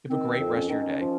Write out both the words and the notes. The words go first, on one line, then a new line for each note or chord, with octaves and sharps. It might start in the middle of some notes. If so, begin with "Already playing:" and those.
Have a great rest of your day.
D#3 C4
F2
C#4
D#3
F3